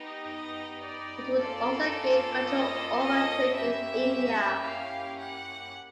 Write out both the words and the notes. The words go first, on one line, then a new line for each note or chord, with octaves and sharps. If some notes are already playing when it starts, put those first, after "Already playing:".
It would also gain control over trade with India.
Already playing: B3 D#4 G4
D#5
D5
A#3 C#4 F4 A4
D#5
D#5
A#3 C#4 E4 G4 E5
F5
F#5